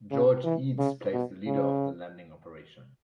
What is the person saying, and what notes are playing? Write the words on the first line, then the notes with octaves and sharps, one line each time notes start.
George Eads plays the leader of the landing operation.
C#3
E3
C#3
B2
C#3